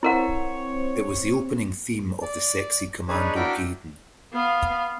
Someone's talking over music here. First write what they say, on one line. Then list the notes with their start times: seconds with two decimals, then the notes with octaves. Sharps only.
It was the opening theme of the Sexy Commando Gaiden.
0.03 C4 E4 A#4 C#5 F#5
2.22 D5
3.08 D4 D#4 G#4 B4 C#5
3.35 D4 E4 F#4 A#4 G5 D6
4.33 B3 F5